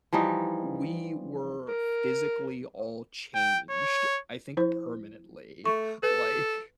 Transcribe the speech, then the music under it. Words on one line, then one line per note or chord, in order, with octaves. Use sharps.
we were physically all changed, I think permanently, like,
E3 F3 G3 D#4
A#4
G5
C#5
F3 E4 C5
A3 C#6
A4 B4